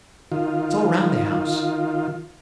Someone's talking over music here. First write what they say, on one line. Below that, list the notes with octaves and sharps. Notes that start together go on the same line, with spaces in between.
It's all round the house.
D#3 F4